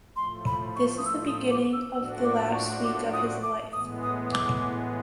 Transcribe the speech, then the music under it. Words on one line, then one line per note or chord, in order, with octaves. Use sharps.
This is the beginning of the last week of his life.
A2 F3 A3 C6
B5
C#6
D#6
E6
D#6
D6
E6
A2 F3 A3 D4 F#4 E6
D6
C#6
D6
D#6
D6
A2 E3 G#3 B3 D#6
D#6
D#6
D6